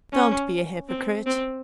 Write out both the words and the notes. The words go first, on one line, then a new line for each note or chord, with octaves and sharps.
'Don't be a hypocrite.
C#4
C4
C4